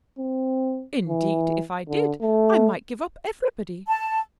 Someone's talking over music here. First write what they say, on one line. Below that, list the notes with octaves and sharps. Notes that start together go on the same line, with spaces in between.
Indeed if I did I might give up everybody.
C4
E3
D3
A3
A5